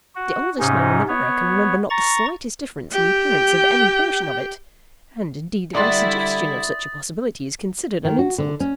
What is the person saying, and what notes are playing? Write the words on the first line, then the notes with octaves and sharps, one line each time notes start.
The oldest man in the borough can remember not the slightest difference in the appearance of any portion of it; and, indeed, the very suggestion of such a possibility is considered an insult.
F#4
G#2 C3 C#4 D#4
B3 C#5
A#5 C#6 A6
G4 G5
D3 G3 E4 D5 C6 D#6 A6
D#3
F#4
D3
C#4